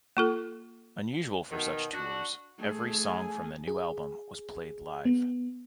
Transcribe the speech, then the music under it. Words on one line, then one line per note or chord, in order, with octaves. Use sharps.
Unusual for such tours, every song from the new album was played live.
A#3 F4 A4
B2 D#3
D4 F#4
A3 G#4
G#5
G#4
B3